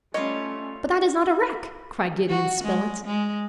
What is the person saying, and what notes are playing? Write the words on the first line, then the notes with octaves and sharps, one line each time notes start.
"But that is not a wreck!" cried Gideon Spilett.
G3 A3 C#4 F4 C#5 D#5
F#4
G#3
G#3